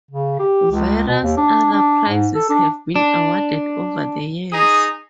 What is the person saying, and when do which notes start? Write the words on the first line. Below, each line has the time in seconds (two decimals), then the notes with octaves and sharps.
Various other prizes have been awarded over the years.
0.11 C#3
0.39 G4
0.71 C#2
1.08 B2
1.24 D#2
1.37 D4
1.73 D4
2.09 G#2
2.35 A4
2.49 D4
2.96 D4
4.53 D#4 G#4 A#5 D#6